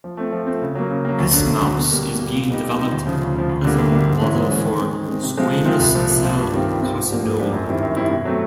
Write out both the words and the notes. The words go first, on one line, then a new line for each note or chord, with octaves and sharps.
This mouse is being developed as a model for squamous cell carcinoma.
F3
A3 C4
F3
A3 C4
C#3
F#3 A#3
C#3
F#3 A#3
D2
D3 F#3
D2
D3 F#3
B2
G3 A#3
B2
G3 A#3
A#2
G3 B3 D#4 G4
A#2
G3 B3 D#4 G4
D2
C#3 F3
D2
C#3 F3
D2
D3 G3 A#3
D2
D3 G3 A#3
G#2
E3 G#3 C#4
G#2
E3 G#3 C#4
D#3
G#3 C4
D#3
G#3 C4
C3
F3 G#3 C4 F4
C3
F3 G#3 C4 F4
C2
A#2 F3
C2
A#2 F3
G2
D#3 G3 C4 F4
G2
D#3 G3 C4 F4
G#2
F3 A#3 D4 G4
G#2
F3 A#3 D4 G4
F#2
D#3 G3 C4 E4
F#2
D#3 G3 C4 E4
B2
F#3 A3 C4